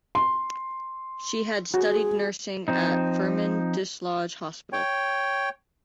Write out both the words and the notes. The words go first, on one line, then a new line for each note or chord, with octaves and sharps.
She had studied nursing at Firmin Desloge Hospital.
C6
F#4 G#4
F3 C4 D#4
C#5 G5